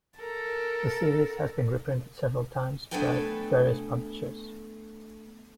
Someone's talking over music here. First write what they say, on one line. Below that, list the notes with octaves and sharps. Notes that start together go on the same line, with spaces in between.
The series has been reprinted several times by various publishers.
A4 A#4
A3 B3 D4 B4 G5 G#5